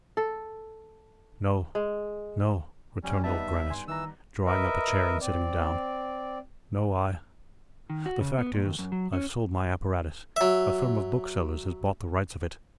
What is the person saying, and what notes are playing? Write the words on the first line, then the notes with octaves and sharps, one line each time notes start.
"No, no," returned Old Grannis, drawing up a chair and sitting down. "No, I--the fact is, I've sold my apparatus; a firm of booksellers has bought the rights of it."
A4
G#3
F#3 G3 C#4
D1 G3 B3 D#4 E5 A5
G2 G#5 C6
F#1 D#3 E3 A#5 E6
A#4 B4 D#5 E5
C4 D5
D#3
F#4
C#3
B3
A#2
D#2
F#2
F#3
C#4
F#3 E5